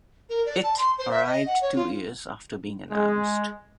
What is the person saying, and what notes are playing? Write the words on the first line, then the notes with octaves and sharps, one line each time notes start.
It arrived two years after being announced.
A#4
D5
A5
C6
C5
E5
D#5
F#5
C#5
F4
G#3